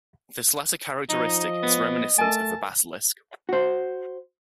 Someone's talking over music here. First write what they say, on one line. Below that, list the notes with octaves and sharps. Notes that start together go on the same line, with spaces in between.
This latter characteristic is reminiscent of the basilisk.
F3 D#4 D#5
B3
A3 A#4 G#5 A5
F#4 C5